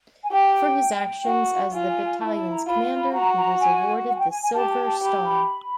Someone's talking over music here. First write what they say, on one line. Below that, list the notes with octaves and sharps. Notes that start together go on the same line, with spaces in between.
For his actions as the battalion's commander he was awarded the Silver Star.
G#5
G4 G5
F#4
F4 G#5
G#5
G#5
E4 A5
A5
A#5
F4 B5
B5
F#4 A#5
A#5
G#5
F#5
G#5
G5
G#5
G#5
G4 A5
A5
A5
G4 B5
B5